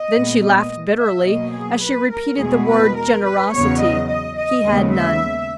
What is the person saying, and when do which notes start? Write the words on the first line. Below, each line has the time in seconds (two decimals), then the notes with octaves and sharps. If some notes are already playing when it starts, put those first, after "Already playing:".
Then she laughed bitterly as she repeated the word "generosity"--he had none.
Already playing: D#5
0.14 A#2 G#3 B3
0.43 D#5
0.99 E5
1.27 B2 F#3 A#3 D#5
1.55 G#4
1.83 B4
2.12 A#4
2.40 E2 B2 G#3 B3 G#4
2.68 B4
2.96 A#4
3.25 B4
3.53 E2 C#3 F#3 B3 C#5
3.81 D#5
4.09 D#5
4.38 D#5
4.66 D#2 C#3 G#3 B3
4.94 E5